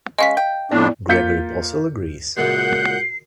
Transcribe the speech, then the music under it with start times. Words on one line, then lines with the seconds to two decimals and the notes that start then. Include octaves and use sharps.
Gregory Possehl agrees.
0.18 G#3 C#4 D#5 F5 B6
0.37 G5
0.72 F2 A2 B3 D4 E4 D5
1.09 A#3 F4 G6 B6 C#7
2.37 C#2 F#2 A#2 F#5 F#6 G6 C7